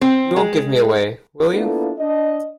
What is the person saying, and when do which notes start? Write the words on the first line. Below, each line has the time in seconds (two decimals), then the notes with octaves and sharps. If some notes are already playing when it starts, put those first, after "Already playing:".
You won't give me away, will you?
0.01 C4
0.36 G#3
1.51 A#3 B3 D4 E4 F4 A4
1.99 D4 D#5